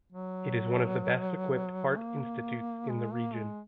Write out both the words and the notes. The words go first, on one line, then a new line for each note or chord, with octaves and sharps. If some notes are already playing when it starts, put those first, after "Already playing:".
It is one of the best equipped Heart Institutes in the region.
F#3
A#3
G#3
A#3
G#3